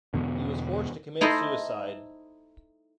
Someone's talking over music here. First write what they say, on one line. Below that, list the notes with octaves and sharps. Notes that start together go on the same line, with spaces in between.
He was forced to commit suicide.
E2 B2 D3
D#4 E4 A4 C5 D#5